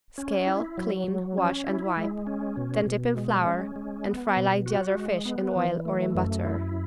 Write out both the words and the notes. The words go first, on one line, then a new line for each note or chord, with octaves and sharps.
Scale, clean, wash and wipe. Then dip in flour and fry like the other fish in oil or in butter.
C#4
E4
F#3
F#3
C#4
E4
G#3
C#4
B2
B2
G#3
C#4
G#3
B3
B2
F#4
G#3
B3
E3
A3
F#2
E4